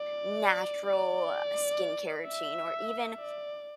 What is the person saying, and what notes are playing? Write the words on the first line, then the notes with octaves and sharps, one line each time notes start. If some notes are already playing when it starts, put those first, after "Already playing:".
natural skincare routine or even
Already playing: D5
D5
E5
D5